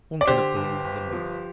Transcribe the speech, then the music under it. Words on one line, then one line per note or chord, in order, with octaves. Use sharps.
One cannot believe in both.
D5
D3 G4 C5
G1
G1
F3